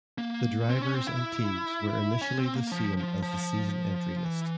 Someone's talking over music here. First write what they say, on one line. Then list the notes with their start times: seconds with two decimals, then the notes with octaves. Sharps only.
The drivers and teams were initially the same as the season entry list.
0.18 A#3
0.69 C4
0.82 C#4
0.94 C4
1.07 E4
2.21 C#4
2.38 C4
2.55 A#3
2.72 F3
2.97 F3
3.22 F3
4.25 E3